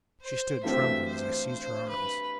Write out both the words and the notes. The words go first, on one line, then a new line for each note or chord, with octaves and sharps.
She stood trembling as I seized her arms.
C5
G2 E3 A3 C4 F#4 E5
C5
C5
B4